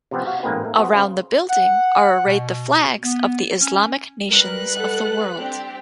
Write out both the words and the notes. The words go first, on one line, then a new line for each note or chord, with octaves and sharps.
Around the building are arrayed the flags of the Islamic nations of the world.
C3 F3 B3 C4
F#4 F5 F#5
A1 G#2 G#3 A#3 C4 B4
A3 A#3
B3 F#4 G#4 C5
C#3 C5 F5
F#5
B2
B3
C#4
G3 A#4 B4 F#6
A4 F#5
C4 D4 G4